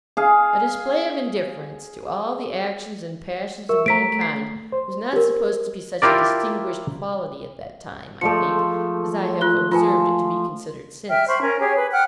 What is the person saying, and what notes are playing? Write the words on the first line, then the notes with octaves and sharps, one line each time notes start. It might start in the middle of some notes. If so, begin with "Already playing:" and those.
A display of indifference to all the actions and passions of mankind was not supposed to be such a distinguished quality at that time, I think, as I have observed it to be considered since.
G#4 F5
A#4 E5 C#6 E6
A3 A#5 B6 D7
C7
C5
G4 A#4
E4 F4 G4 A#4 D5
F3 G#3 A3 A4 F5 C#7
F4 F#6 G7
F3 F4 B4 G#5
E5 G5 F6
C5 B5 C#6
C#4 A#4
G4 G#4 C#5
B4
F#5 G5 F6 F#6